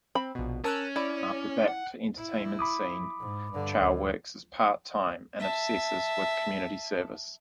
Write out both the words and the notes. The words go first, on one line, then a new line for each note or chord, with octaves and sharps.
After back to entertainment scene, Chow works as part-time and obsesses with community services.
C4 B5
A#1 B2
C#4 A#4 A5 E6 F#6
E4 D5
F#5
E4
B5 D6 D#6
G#2
G2 D3
D2
E5 A5